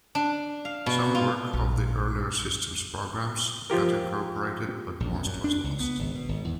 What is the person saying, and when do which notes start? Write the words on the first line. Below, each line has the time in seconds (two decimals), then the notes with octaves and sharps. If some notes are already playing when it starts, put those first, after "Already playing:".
Some work of the earlier systems programs got incorporated but most was lost.
0.15 D4
0.65 F5
0.86 B2
1.15 F4
1.53 A#1 C3
3.70 F3 F4 G4 A#4
5.00 A#1
5.14 F#2
5.26 F#2
5.44 D4
5.64 C#2
5.80 B3
5.99 G#1
6.15 B2
6.29 G#1
6.45 E2